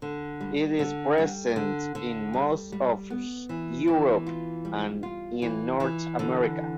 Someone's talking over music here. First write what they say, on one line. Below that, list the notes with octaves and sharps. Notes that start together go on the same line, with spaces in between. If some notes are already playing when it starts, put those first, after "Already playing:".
It is present in most of Europe and in North America.
D3
G3
D3
G3
D3
D3
G3
G3
B3
E3
E3
F4
G3
F4
E3
E3
D3